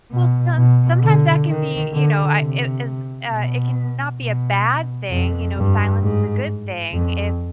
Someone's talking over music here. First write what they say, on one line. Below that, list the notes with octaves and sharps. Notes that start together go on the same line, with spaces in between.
Well, some sometimes that can be, you know, I it it's, uh It can not be a bad thing, you know, if Silence is a good thing, if
B2
B2
D3
D#3
D3
C3
B2
B2
F2
G2
G#2
F2